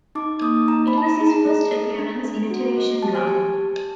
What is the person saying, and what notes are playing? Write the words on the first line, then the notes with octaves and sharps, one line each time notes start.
It was his first appearance in a television drama.
D#4 D6
A#3 D#6
D#4 A#5
B5
D#4 A5
A#5
G#4
A#5
A3 A#5
A4
D4
A4
F#4
A3
G4 A5
G#5
G4 A5